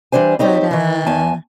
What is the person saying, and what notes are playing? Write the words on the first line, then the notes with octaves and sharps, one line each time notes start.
But, uh
E3 G3 D4 C5 G#5
C4 D#4 G4 C#5
D#3 E3
E2 G#5 A5